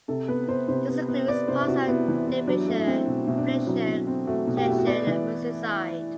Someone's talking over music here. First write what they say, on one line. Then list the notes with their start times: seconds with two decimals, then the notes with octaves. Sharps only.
This includes parts of Denbighshire, Flintshire, Cheshire and Merseyside.
0.08 C3 A4
0.28 B3 B4
0.48 B3 C5
0.68 C3 C5
0.88 B3
1.08 B3
1.28 B3 D5
1.48 C3 C5
1.60 E4
1.68 C3 F#4
1.88 B3 E4
2.08 E3
2.27 B3
2.47 F#3 D4
2.68 A3
2.78 E4
2.87 C4
3.07 B2 F#4
3.27 B2 E4
3.38 D4
3.47 C4
3.67 F#3 E4
3.87 B2
4.07 C4
4.27 A3 F#4
4.47 B2
4.57 G4
4.64 F#4
4.67 A3 E4
4.78 F#4
4.87 B3 D5
5.07 E3